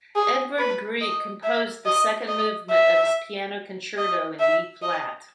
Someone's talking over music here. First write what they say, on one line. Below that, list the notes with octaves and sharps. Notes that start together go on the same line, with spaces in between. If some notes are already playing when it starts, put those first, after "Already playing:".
Edvard Grieg composed the second movement of his Piano Concerto in D-flat.
G#4
B4
D#5
E5
D#5
D#5
E5
D#5
E5
D#5